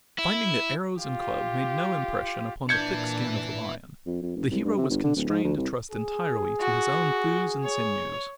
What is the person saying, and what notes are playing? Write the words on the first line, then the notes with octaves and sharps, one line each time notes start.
Finding that arrows and club made no impression upon the thick skin of the lion, the hero was constrained to trust entirely to his own thews and sinews.
E4
F4 G4
A#2 D4 E4 B4 G6 G#6 C#7
F2
F2
F#1
C2
G2
C3
G1
D3
D1
G#2
D2
C2
G#4
F#4
C#5